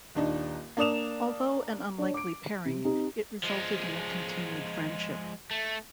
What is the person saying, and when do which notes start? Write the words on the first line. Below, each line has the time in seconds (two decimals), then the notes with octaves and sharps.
Although an unlikely pairing, it resulted in a continued friendship.
0.15 D#1 D4 D#4
0.77 A#3 D4 D5 D#6 E7 F7
1.98 D4 C#5
2.14 D6 D7
2.65 C3
2.85 C4 D#4 G4
3.43 F3 G#3
5.51 A3